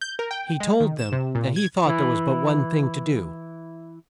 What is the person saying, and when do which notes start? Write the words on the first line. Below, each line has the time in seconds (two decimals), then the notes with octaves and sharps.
He told them that he thought there was but one thing to do.
0.01 G6
0.19 A#4
0.31 G5
0.60 G#3
0.80 D#3
0.98 E7
1.12 C3
1.35 A#2
1.56 G#6
1.86 E3 E4